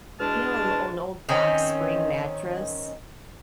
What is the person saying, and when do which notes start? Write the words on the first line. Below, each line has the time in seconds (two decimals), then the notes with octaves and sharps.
you know, a l an old box spring mattress?
0.20 E2 B2 G#3 D4 A5 F6
1.29 D#3 C4 C#4 D#4